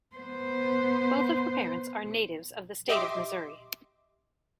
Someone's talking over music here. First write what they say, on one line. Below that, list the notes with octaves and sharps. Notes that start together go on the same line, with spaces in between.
Both of her parents are natives of the state of Missouri.
B3 C5
G4 D#5 E5 C6 D6